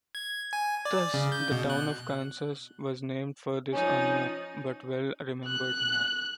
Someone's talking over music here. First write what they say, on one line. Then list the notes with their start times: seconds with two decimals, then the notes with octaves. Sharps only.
Thus, the town of Kansas was named for this unknown, but well remembered man.
0.15 G#6
0.53 G#5
0.85 D5
1.14 C#3
1.32 G6
1.51 B2
1.70 F#6
3.73 F3 C#4 D#4
5.46 F#6